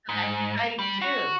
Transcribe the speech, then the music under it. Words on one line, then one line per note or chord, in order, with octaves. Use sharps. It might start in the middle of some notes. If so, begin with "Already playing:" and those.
So, that's exciting too.
G#2
G3
F#4